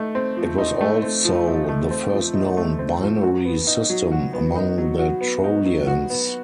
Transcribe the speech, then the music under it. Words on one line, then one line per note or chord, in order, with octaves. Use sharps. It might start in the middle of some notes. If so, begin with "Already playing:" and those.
It was also the first known binary system among the Trojans.
Already playing: A3 D#4
C4
F3
D#4
A3
C4
F3
D#4
A3
C4
F3
D#4
A3
C4
F3
F#4
B3
D#4
F#3
F#4
B3
D#4
F#3
F#4
B3
D#4
F#3
F#4
B3